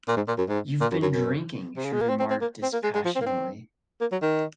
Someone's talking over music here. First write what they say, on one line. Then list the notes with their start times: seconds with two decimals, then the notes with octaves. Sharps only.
"You've been drinking," she remarked dispassionately.
0.08 A#2
0.16 G#2
0.28 A#2
0.38 F#2
0.49 G#2
0.81 A#2
0.92 F#2
1.02 F#2
1.13 F#2
1.77 C3
1.84 C#3
1.93 G#3
2.01 A#3
2.09 C4
2.20 C4
2.30 C4
2.41 A#3
2.63 C4
2.73 A#3
2.83 G#3
2.95 G#3
3.05 F3
3.15 C4
3.21 A#3
3.26 C4
4.01 A#3
4.12 F#3
4.22 D#3